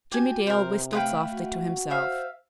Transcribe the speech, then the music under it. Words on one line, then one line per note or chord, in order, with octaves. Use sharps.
Jimmie Dale whistled softly to himself.
F#4 G4 G#5
C3 A#4 C5
A3 B4 F5 G5
F#4
C5 E5 F5